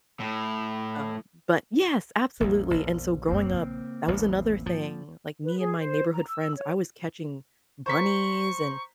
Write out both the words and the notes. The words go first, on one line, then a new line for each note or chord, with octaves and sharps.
uh, but yes, absolutely, and so growing up, that was another thing, like, me and my neighborhood friends I was catching bunnies and
A2
A#1 E2 G#3 A#3
A#1 E2 B3
F1 F#2 A#3 C4
C#3
A1 D#2
G#2 F3
B4
G#4
C5
A#5
E6
C#5
C5 A#5 C#6 B6